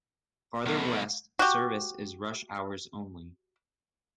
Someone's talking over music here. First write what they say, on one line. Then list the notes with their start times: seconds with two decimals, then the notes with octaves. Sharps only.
Farther west, service is rush hours only.
0.66 B1 E2 B2 A3
1.39 F#4 G4